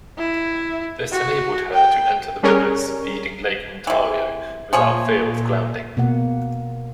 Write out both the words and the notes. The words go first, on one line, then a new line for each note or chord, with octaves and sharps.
This enabled her to enter the rivers feeding Lake Ontario without fear of grounding.
E4
F#4
G5
G3 C#4 G#4 A#4 C#5
C3 E3
A#2 F3 G#4 C#5
B2 A#3 F#5